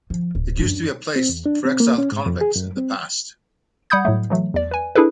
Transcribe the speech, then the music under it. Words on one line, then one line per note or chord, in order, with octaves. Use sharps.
It used to be a place for exiled convicts in the past.
F3
D1
F#2 D4
C4
E2
D4
C4
A#3
C#4
G#2
F2
G#4
F#2
C4
G3 F#5 B5 D#6 G6 G#6
A2 F#3 A3
E3 F#3 A3
E2 D5
B4 G#5
D4 E4 G#4 A4 B4